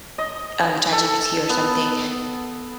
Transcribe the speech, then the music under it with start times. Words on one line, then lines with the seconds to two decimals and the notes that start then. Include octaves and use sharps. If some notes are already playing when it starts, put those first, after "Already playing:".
um, ChatGPT or something,
0.18 D#5
0.92 A4
1.50 B3